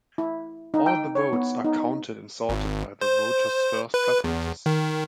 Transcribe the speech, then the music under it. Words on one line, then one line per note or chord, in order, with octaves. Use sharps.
All the votes are counted and sorted by the voters' first preferences.
E4
D#4
G5
C#5
B3
D#4
G#1
C5
B4
E2
D#3